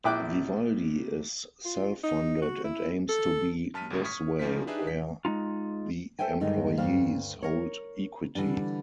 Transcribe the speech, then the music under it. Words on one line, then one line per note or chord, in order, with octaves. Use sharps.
Vivaldi is self-funded and aims to be this way where the employees hold equity.
A#1 E4 G5 D6 F#6
F4
D#4
F#4
E4
A4
F#2 A5 F6 B6 D#7
G1 C#2 F#2 A2
C#6 D#6 F6 G#6 B6
D2 F3 C#4 D#4 F4 B6
D4 D#4 G4 G#4 B4 E5
B6
G#3 C#4 D#4 F4
A4 C5 E5 G5 G#5
G2 D3 D#3 G#3 D#4
D2 G2 C5 F5
A#4 C#5
D3 E3 G3 D4